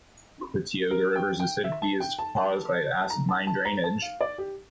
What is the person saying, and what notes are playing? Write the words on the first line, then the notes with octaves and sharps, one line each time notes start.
The Tioga River's acidity is caused by acid mine drainage.
A#4
G5
G5
E5
A5
G5
A5
A5
A5
A#5
A5
A5
A#5
A5
F5
D5
G4